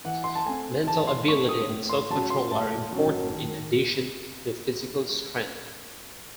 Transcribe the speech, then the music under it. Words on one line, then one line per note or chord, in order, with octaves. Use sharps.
Mental ability and self-control are important in addition to physical strength.
E3 F#5
C6
A5
A3 C4 G#5
E3 A5
C6
A3 C4 C#6
D#6
A2
C6
F#3 C#4 A5
C6
A2 A5
F#3 C#4
D#3